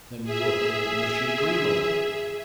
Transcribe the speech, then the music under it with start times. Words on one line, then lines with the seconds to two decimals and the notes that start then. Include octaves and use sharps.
"Then you are called Monsieur Grimaud?"
0.24 G#4 E5